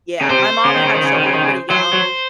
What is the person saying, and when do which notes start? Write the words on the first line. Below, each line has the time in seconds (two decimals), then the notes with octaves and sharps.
Yeah, my mom had children pretty young,
0.21 C#3
0.30 C3 C5
0.65 C#3
0.75 D#3
0.84 C#3
0.94 D#3
1.04 C#3
1.14 D#3
1.23 C#3
1.33 D#3
1.43 C#3
1.70 F#3 C5
1.93 F#3